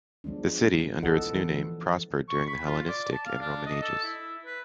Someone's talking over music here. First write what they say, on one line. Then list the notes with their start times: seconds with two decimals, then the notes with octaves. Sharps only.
The city, under its new name, prospered during the Hellenistic and Roman Ages.
0.24 F3 G#3 B3 D4
0.73 F3
1.03 F3 B3 E4 A4 D#5 F#5
1.34 E3 F3
2.28 C#6
2.47 B5
2.66 F4
2.88 D5
3.12 A5
3.26 F5
3.41 D4
3.66 D#5
3.81 A4
4.04 E4
4.46 B4